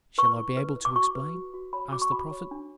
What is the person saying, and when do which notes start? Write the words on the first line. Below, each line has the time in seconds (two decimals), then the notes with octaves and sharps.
"Shall I be able to explain?" asked the prophet.
0.18 B4 C#6
0.37 E4
0.57 B4
0.76 B4
0.85 D6
0.96 F#4 C#6
1.15 B4
1.35 F#4
1.54 F#4
1.73 C#5 B5
1.92 F#4 D6
2.02 C#6
2.12 F#4 B5
2.31 C#5
2.51 D4